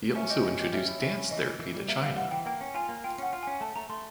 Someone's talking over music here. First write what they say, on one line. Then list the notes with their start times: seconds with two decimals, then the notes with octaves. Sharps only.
He also introduced dance therapy to China.
0.15 C#4 E5
0.30 G4 D#5
0.44 C#4 D#5
0.60 G4 D#5
0.73 C#4 E5
0.88 E4
1.02 C#4 E5
1.16 C#4
1.31 E3 D#5
1.45 E3
1.59 E3
1.75 G3
1.88 A#3 E5
2.03 G3 F5
2.17 E3 F#5
2.31 E3 G5
2.46 A#3 G5
2.61 C#4
2.74 F4 G#5
2.89 A#3
3.04 F4 G5
3.18 C#4 F#5
3.33 F4
3.43 C#4 G#5
3.61 A3 A5
3.76 A3 A#5
3.90 A3 C6